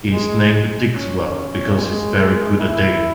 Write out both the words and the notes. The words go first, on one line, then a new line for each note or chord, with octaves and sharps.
He is named Digswell because he is very good at digging.
G#3
C#4
G#3
E4